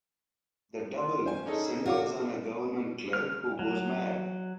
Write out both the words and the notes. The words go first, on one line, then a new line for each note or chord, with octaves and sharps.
"The Double" centers on a government clerk who goes mad.
F4
C#4 C5 G#5
C#4 D#4 G#4 A4
F4 F#4 C#5 D6
F6
F#3